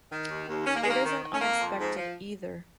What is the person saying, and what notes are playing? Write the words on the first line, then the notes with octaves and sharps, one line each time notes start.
It isn't unexpected, either.
D#3
D#2
D#2
D#2 C#4
A#3
D#2 G#3
A#3
D#3
D#3
C#4
F2 A#3
F2
G#2
F3